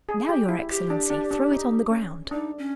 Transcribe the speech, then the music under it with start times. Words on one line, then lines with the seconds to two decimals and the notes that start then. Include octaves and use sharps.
'Now, your excellency, throw it on the ground.'
0.09 G#4
0.29 G4
0.49 E4
0.70 G4
0.90 D4
1.10 D4
1.31 D4
1.50 D#4
1.91 C#4
2.31 D4 D#4
2.58 C#4